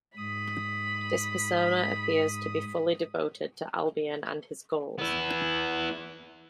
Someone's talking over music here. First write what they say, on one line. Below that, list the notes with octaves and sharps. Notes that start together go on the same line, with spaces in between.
This persona appears to be fully devoted to Albion and his goals.
G#2 B5 D#6
B3 E4